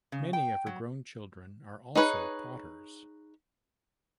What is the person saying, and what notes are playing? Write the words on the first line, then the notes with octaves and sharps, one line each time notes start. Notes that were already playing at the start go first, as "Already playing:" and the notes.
Many of her grown children are also potters.
C#3
G5
F#3
D#4 G#4 B4 C#5